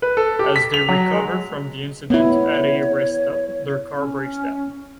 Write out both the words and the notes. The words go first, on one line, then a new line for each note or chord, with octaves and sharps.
As they recover from the incident at a rest stop, their car breaks down.
B4
A4
G4
B6
F7
F#3
G#3
B3 E4 C#5
C#4